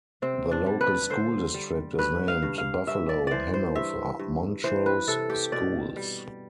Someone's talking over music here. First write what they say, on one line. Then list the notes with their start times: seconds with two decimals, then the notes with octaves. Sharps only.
The local school district is named Buffalo-Hanover-Montrose Schools.
0.22 C3 C4
0.51 D4
0.66 G3
0.81 B4
1.10 D3 C5
1.54 G3
1.98 G2 B4
2.28 F5
2.43 G2
2.58 F5
2.87 G2 E5
3.09 D5
3.27 E3 C5 D5
3.54 C5
3.75 G2 E5
4.19 G2
4.64 E3 C5
4.86 B4
5.08 C3 A4
5.30 G4
5.52 B2 D5
5.96 G3